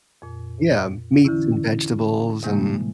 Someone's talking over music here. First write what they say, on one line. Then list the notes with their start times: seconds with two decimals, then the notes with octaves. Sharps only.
Yeah, meats and vegetables, and
0.22 F2 A#2
1.25 D3 E3 C#4 E4
2.43 A2 C3 E3 G3 G#3 A#3